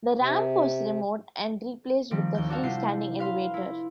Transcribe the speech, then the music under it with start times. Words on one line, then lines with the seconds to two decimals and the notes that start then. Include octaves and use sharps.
The ramp was removed and replaced with a free standing elevator.
0.19 C3
2.11 D#3 F3 G3 C4
2.35 D#2 G6
2.49 D4 F#4 A4 F5
2.63 C3 E4 F4 G6 C7
3.19 B4 F5 C6
3.54 E4